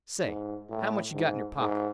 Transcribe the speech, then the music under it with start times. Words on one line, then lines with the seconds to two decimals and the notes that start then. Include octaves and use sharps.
Say, how much you got in your pocket?
0.24 G#2
0.70 A2
1.14 G#2
1.59 G#2